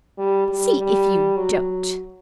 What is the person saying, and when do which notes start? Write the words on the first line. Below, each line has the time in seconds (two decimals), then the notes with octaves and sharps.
See if you don't.'
0.18 G3
0.48 G3
0.78 G3
1.36 F#3